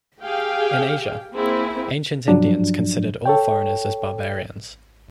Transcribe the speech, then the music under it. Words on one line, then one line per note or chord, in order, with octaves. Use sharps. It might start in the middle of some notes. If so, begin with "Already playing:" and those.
In Asia, ancient Indians considered all foreigners as barbarians.
G4 G#4 F5 G5
A#3 C4 E4 G#4
G2 F3 F#3 D4
A4 C#5 G5